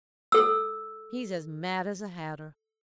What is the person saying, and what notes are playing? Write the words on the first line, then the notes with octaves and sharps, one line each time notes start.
He's as mad as a hatter.'
A4 E6